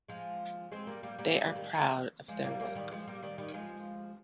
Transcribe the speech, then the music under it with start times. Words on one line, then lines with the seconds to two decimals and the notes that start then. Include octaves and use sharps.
They are proud of their work.
0.09 F3 G#3
0.72 G#3 C4
0.87 G3 A#3
1.03 G3 A#3
1.18 G3 A#3
1.34 G#3 C4
1.45 G3 A#3
1.55 D#3 G3
2.28 F3 G#3
2.44 G3 A#3
2.59 G3 A#3
2.75 D#3 G3
2.91 F3 G#3
3.07 G3 A#3
3.23 D#3 G3
3.38 D#3 G3
3.54 F3 G#3